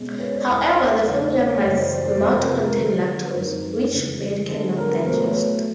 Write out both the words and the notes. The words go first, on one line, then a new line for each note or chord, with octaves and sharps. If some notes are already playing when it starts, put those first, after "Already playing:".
However, the formula must not contain lactose, which birds cannot digest.
Already playing: B2 G#3 C#4
B4 C#5
C5 D5
E2 B2 G3 B3
D#5
C5 D5
B4 C#5
E2 C#3 F#3 A3 B4 C#5
B4 C#5
B4 C#5
F#2 C#3 E3 G3 C#5 D#5
C5 D5
C5 D5
C5 D5
F2 C3 F3
A#4 C5
B4
A#4
D3 F3 A#3 B4
B4
F#2 D#3 G#3 C4 A#4 C5
A#4
B4
A#4
F2 C#3 E3 G#3 B4
D3 F3 G#3 B3 D4
A#4
B4
B2 F#3 A3 A#4 C5
B4 C#5
B4 C#5